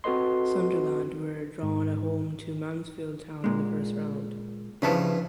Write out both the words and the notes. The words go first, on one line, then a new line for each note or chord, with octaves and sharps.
Sunderland were drawn at home to Mansfield Town in the first round.
C4 F#4 A4 B4 D#5 C6
G#2
A#2 G#3
G2 C#3 E3 F3 B4 A5